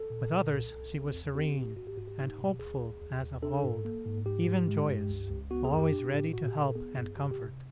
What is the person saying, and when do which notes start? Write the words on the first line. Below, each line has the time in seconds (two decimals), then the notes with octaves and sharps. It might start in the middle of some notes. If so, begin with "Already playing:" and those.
With others she was serene and hopeful as of old, even joyous, always ready to help and comfort.
Already playing: A4
0.10 A#2
0.31 A#2
0.51 C2
0.73 C2
0.94 C4
1.14 E2
1.35 C4 G4
1.56 A2
1.76 G#2 F#4
1.87 G4
1.97 G#2 F#4
2.07 G4
2.19 D#4
2.38 B2
2.59 D2 G#4
2.80 D2
3.02 D#2
3.22 D#2
3.42 D4 A4
3.64 G#2
3.85 A#3
4.06 G#2
4.26 G#2 G4
4.47 G#2
4.68 G#3
4.89 G2
5.10 C#2
5.30 C#2
5.51 B3 F#4
5.65 G#4
5.72 F#2
5.79 G4
5.92 D4
6.13 A2
6.33 A#2 F#4
6.48 G4
6.55 A#2
6.62 A4
6.75 B3 G#4
6.96 G2
7.17 C3 G4
7.31 G4
7.38 C3